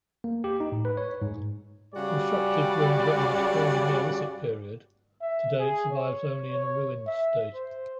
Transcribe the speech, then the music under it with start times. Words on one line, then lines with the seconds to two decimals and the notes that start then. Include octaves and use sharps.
Constructed during Britain's Early Neolithic period, today it survives only in a ruined state.
0.24 A#3
0.44 G4
0.60 D#4
0.72 A2
0.85 B4
0.97 C#5
1.22 G#2
1.95 C#3 G3 F#4 D5
5.22 E5
5.59 G#4
5.92 C#5
6.52 C#5
7.07 E5
7.55 C5